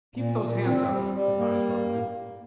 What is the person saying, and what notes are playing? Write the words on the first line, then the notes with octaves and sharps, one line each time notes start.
"Keep those hands up!" advised Ogden.
A#2
A#2
C4
G3
G3
A#3